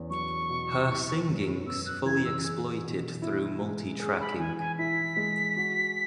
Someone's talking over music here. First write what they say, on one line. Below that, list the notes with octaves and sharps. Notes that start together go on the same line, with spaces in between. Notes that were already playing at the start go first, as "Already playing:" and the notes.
Her singing's fully exploited through multi-tracking.
Already playing: E2 C#4
F#3 C#6
B2
E4
F#2
B3 E6
F#6
E3 G#6
E6
G#4
B2
E4
G#3
G#4
B5
E3 G#5
G#5
E4 B6
G#3
F#4